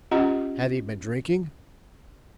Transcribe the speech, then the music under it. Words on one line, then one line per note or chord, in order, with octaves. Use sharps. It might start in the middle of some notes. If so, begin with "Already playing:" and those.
"Had he been drinking?"
C#4 F4 G4 D#5 F#5 A#5